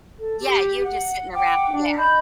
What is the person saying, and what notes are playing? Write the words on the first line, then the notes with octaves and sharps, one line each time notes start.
Yeah you're just sitting around, yeah.
A4
G4
F#5
F#5 G5 D6
D4
D#5 B5 G6